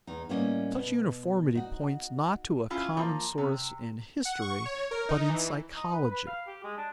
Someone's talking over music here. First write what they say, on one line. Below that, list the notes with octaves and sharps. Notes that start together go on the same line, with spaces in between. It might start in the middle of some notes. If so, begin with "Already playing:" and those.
Such uniformity points not to a common source in history, but in psychology.
E2 D#4
A2 G3 A#3 B3 C#4 D#5
B2
D#4 F#4
C#4 E4 F4
F3 A#3
C3
F#5
C#6
C#5
A#4
D#4
E3
D#4
B4
B4
F5
G4
G#3
D4